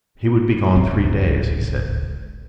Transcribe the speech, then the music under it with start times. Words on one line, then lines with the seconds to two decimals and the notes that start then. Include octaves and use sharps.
He would be gone three days, he said.
0.75 D1 G#1 C#2 C4